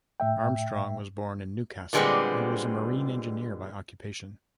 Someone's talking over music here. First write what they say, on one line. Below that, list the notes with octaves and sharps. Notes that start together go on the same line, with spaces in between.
Armstrong was born in Newcastle and was a marine engineer by occupation.
A2 E5 G5
A#2 D3 G3 G#3 B3 C4